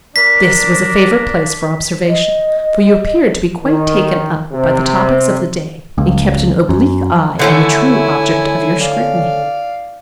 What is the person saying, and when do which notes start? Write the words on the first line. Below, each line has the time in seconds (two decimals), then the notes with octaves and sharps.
This was a favourite place for observation, for you appeared to be quite taken up by the topics of the day, and kept an oblique eye on the true object of your scrutiny. . . .
0.16 D4 A#4 D5 B6
2.08 D#5
3.64 D#3
4.53 C3
5.98 C#2
6.69 F#2
7.39 D3 A3 C#4 E4 G#5
8.81 D5 F5